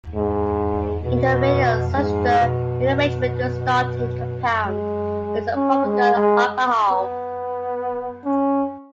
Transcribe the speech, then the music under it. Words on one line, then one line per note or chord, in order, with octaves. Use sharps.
In the Meyer-Schuster rearrangement the starting compound is a propargyl alcohol.
G#2
B2
G#2
B2
G#3
C#4
G#3
G#3
B3
C#4